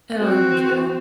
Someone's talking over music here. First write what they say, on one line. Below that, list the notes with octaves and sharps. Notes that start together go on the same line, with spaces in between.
I don't like country at all.
C4 F#4